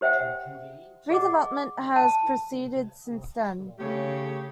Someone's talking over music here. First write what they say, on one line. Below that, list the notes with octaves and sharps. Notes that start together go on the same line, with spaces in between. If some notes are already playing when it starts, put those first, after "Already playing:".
Redevelopment has proceeded since then.
G4 C5 E5 F#5 G5
G#4 D#5 F#5 D6
A5
C#3 A3 G4 C#5